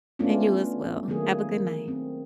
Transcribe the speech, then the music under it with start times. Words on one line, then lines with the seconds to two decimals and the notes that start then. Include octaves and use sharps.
And you, as well. Have a good night.
0.19 A3 B3 C#4 D4 F4
1.08 D#3 F#3 A3 A#3 G#4
1.88 C4